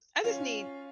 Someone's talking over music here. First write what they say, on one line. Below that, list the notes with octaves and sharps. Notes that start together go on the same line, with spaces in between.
I just need
C#4 F4